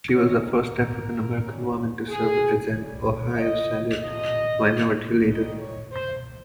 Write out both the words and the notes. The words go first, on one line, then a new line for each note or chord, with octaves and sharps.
She was the first African-American woman to serve as Ohio Senate minority leader.
D#3 G#3 C4 D#4 C#5
A#4
D#3 G3 C#4
G#4
C#3 G3 C#4
C#5
D#5
F2 C3 F3 D#5
G#2 D#3 G3 D#5
C#5
C5